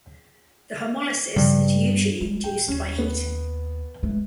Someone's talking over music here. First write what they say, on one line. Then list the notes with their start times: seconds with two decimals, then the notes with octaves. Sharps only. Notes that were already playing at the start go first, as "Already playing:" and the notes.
The homolysis is usually induced by heating.
1.36 G2 C#3 F3
2.21 E3 G#3
2.44 A1 G5
2.68 D#2 C#4
2.99 B3
4.03 G#3 A3